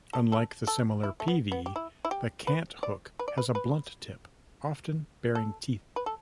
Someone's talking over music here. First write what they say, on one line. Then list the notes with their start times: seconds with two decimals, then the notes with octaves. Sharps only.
Unlike the similar peavey, the cant hook has a blunt tip, often bearing teeth.
0.13 A4
0.32 A4
0.67 A4
1.03 E4
1.20 A3
1.28 B3
1.52 B3
1.66 G4
1.76 E4
2.05 E4
2.11 G4
2.47 B4
2.83 D5
3.19 B4
3.28 D5
3.38 B4
3.55 B4
5.35 A4
5.96 B4
6.06 A4